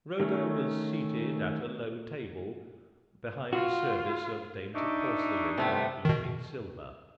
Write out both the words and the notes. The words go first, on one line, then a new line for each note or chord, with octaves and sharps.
Rhoda was seated at a low table, behind a service of dainty porcelain and gleaming silver.
D#3 A3 C#4
F4 F#4
D4 D#4 E5 C#6 D6
C3 D#3 G#3 A3 B3
B2 D#3